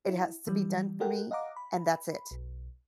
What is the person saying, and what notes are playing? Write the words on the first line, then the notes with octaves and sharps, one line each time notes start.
it has to be done for me, and that's it."
E4
E3 G3
G4 A4 A#4 F#5 G5
D#5 F5 F#5 A#5 D6
B5
B1